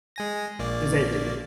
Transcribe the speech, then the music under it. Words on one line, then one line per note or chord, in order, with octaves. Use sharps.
Does it do
G#3 G#5 A#6
A#1 A#3 D5